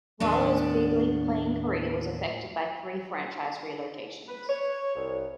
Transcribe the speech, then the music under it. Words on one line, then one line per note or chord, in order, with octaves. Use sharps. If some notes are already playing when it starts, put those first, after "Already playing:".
Valo's big-league playing career was affected by three franchise relocations.
D#2 A2 B3 D4
B4
C#5
C2